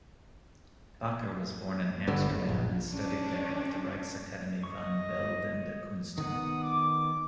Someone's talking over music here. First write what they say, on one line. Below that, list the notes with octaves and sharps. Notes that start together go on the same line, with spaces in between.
Bakker was born in Amsterdam and studied there at the Rijksakademie van beeldende kunsten.
G1 G2 D3
F#1
A#1
C#4 D4
D#5 C#6
D#3 B3 F#5 D#6
D6